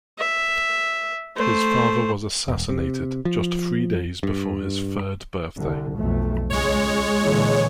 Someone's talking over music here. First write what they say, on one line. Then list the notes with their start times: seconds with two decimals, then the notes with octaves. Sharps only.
His father was assassinated, just three days before his third birthday.
0.18 E5
1.36 A3 C5
2.48 E1
2.69 C3
3.25 F3
4.23 G2
5.56 C2 D3
5.96 B1 F2 A3
6.50 C#2 G#3 C#5
7.23 A#2 D3 E3